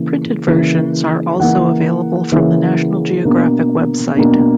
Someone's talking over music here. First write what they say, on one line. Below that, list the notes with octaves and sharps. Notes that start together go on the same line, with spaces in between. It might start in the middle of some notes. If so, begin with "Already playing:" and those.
Printed versions are also available from the National Geographic website.
Already playing: C#3 E3 A#3
C#3 E3 A#3
C#3 E3 A#3 F#5
C#3 E3 A#3
B2 A#3 D4
B2 A#3 D4